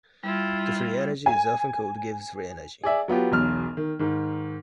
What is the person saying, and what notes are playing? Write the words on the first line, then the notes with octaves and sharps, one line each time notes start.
The free energy is often called Gibbs free energy.
G3 E4 F4
G#5
G#4 D5 E5
F#3 B3 F4 G4
E1 B1 F6
D#3
G#2 D#3